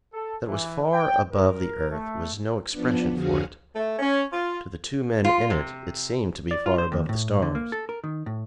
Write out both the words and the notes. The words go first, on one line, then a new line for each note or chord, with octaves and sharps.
That it was far above the earth was no expression for it; to the two men in it, it seemed to be far above the stars.
A4
E3
G5
A#4
A3
F3 B3 D4
F2 D3 F#4 G#4 F5
A3
C#4
F4
F4
C3
D5
F4
C5
D#2
A2
D3
A#3
A4
A#4
D#3
A2